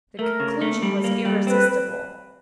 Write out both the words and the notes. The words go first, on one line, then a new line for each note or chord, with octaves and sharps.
The conclusion was irresistible.
A3 A#4
C#3
A3
G3
A#3
G3
C4 B4